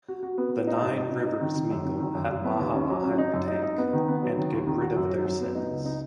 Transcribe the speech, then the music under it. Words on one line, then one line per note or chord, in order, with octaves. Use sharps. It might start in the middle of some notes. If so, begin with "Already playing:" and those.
The nine rivers mingle at Mahamaham tank and get rid of their sins.
F#4
F#4
B3
B3
D#4
G#2
D#4
D#4
D#4
D#3
D#3
F#2
D#3
D#3
F#2
F#2
B3
D#2
C#4
F#3
C#4
D#4
F#2
D#4
D#4
B3
D#3
B3
F#3
D#3
D#2
D#3
F#4
F#2
F#3
F#2
B3
D#4
C#2
D#4